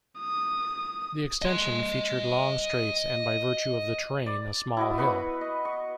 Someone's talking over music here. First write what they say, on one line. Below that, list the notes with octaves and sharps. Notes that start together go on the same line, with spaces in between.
The extension featured long straights and by virtue of the terrain, a small hill.
D#6
D#5 C6
D5
E4 F#4 D#5
B3 B4 C#6
D#5
C#6